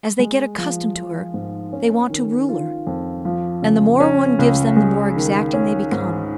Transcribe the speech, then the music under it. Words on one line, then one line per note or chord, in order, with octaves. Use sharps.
As they get accustomed to her, they want to rule her, and the more one gives them the more exacting they become.
G#3
F3
F4
G#2
C#4
D#3
F4
F2
F3
C#3
C#4
C#2
G#3
D#3
C#4
G#2